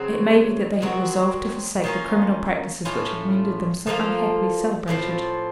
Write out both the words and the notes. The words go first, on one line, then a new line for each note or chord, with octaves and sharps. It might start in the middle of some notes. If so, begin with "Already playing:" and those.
It may be that they had resolved to forsake the criminal practices which had rendered them so unhappily celebrated.
Already playing: C#3 F#3 C4
D#3 F#3 C4 F#4
D#3 A#3 C#4 F4
A2 A3 C#4 F4
F3 A#3 F4 A4
A2 F3 C4 F4